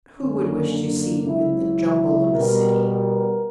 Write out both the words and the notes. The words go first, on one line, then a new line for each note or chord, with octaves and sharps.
Who would wish to see you in the jumble of a city?
F#2 D3 A#3 C#4
D4
C#2 C#3 F#3 E4
B2 G3 B3 A#4
A#4